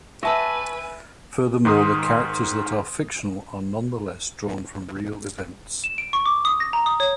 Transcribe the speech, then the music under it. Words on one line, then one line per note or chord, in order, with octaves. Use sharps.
Furthermore, the characters that are fictional are nonetheless drawn from real events.
F#4 B4 E5 G#5 A5 E6
G#2 D#3 C6 D#6
E7
D7
C#6
D6
D#6
A#6
A#5
D#6
C#5